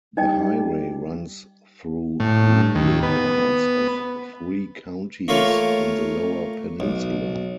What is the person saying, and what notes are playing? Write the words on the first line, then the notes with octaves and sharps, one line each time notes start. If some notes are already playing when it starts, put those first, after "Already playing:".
The highway runs through rural parts of three counties in the Lower Peninsula.
G3 D#4 D#5 G5
A2
D#2
B3
A3 A#3 F4 C#5
B1